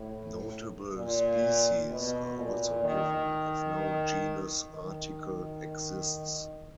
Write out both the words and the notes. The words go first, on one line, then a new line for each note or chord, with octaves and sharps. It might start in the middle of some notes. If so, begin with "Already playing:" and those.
Notable species are also given if no genus article exists.
Already playing: A2
A#2
B2
A#2
D#3
D#3